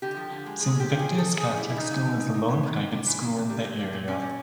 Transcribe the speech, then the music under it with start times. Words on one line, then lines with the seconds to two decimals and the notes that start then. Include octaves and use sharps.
Saint Victors Catholic School is the lone private school in the area.
0.02 D3 G4
0.17 F3
0.31 D3
0.46 G#3
0.60 D3 G#4
0.75 F3 G4
0.90 F3
0.99 G#4
1.04 G#3
1.18 C#3 A4
1.33 G3 G#4
1.47 C#3
1.57 E4
1.62 G3
1.70 E4
1.76 E3 D#4
1.91 C#3
2.05 C#3
2.20 C#3
2.34 C3
2.48 E3
2.63 C3
2.77 C3
2.92 C3 D4
3.06 E3
3.21 E3
3.36 C3
3.49 G3
3.64 A#2
3.79 G3
3.93 A#2
4.08 G3 C#4
4.22 A#2